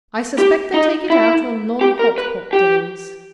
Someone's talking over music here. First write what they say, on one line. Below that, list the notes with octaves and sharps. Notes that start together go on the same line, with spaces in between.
I suspect they take it out on non-hot-pot days.'
G4
D#4
E4
G4
A#4
B4
G4